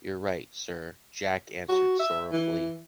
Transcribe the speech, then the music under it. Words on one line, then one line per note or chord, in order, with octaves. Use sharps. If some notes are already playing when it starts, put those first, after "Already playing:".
You’re right Sir, Jack answered sorrowfully.
F#4
E5
E3